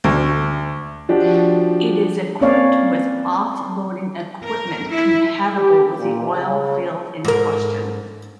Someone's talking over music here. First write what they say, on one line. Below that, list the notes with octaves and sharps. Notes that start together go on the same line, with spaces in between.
It is equipped with off-loading equipment compatible with the oil field in question.
D2
F3 D4 F#4 G4
A#3 C4 C#4 C#5 D5 F5
A#4
E4
G4
A#2
C#3
G#2 A#4